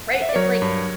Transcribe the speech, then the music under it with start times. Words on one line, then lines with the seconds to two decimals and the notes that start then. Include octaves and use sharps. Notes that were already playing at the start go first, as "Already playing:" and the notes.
Right, it's like,
0.14 F#5
0.22 E5
0.29 D5
0.36 F#3 A#4 C#5
0.62 G2